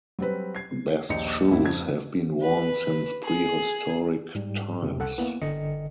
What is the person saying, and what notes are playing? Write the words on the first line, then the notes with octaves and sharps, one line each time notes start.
Bast shoes have been worn since prehistoric times.
F#3 G3 C4 B4
G#6 C7
A#1 D#2 D#4 C#7
E1 G#2 E4
F2 G#6
B4
G#4
G#2 G3
F2 C3
C2 A4 F#5
A#3 B3 E4
G1 D3 D#5 C#7